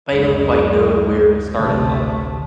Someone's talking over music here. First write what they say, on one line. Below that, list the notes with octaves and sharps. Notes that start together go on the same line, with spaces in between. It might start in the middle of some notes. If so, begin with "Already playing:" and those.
I don't quite know where to start in a lotta ways.
D1 F#2 G#3 G#4
A1 D2 C3 A3 A5